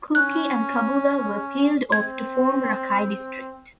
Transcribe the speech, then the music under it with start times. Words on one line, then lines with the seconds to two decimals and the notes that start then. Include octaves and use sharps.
Kooki and Kabula were peeled off to form Rakai District.
0.15 C#4 F#6
1.92 C4 G#6